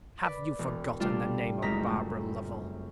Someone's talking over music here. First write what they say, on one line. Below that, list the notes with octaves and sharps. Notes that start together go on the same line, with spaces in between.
"Have you forgotten the name of Barbara Lovel?"
B4 D5
E1
C3 G3 A3 D4 F4
F#1 F#2 G#3 C4 A#5 B6
A3